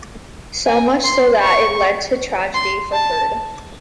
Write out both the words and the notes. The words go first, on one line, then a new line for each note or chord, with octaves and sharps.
So much so that it led to tragedy for Heard.
G#5
C6
C#6
C6
A5